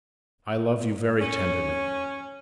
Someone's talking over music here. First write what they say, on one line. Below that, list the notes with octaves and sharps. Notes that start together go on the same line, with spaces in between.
I love you very tenderly.
C#4